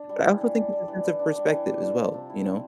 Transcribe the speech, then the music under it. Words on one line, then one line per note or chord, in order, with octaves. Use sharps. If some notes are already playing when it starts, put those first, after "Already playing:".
But I also think there's a sense of perspective as well, you know?
Already playing: D4
G3
E3
E3
D4
G3
E3
E3
D4
G3
E3
E3
D4
F3
C3
E4
C4